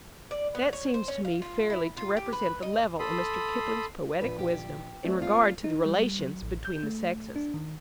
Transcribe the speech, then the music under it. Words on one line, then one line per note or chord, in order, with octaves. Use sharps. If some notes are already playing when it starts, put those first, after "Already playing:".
That seems to me fairly to represent the level of Mr. Kipling's poetic wisdom in regard to the relations between the sexes.
D5
B3
C#5
C5
C#4
F5
F4
E4
F4
G4
B4
D#5
A4 B5 C6 D#6
A#1 B4
G4
A3 C4 D5
F4
D#4
G3
F#3
A1
G6
A3
D4
D#3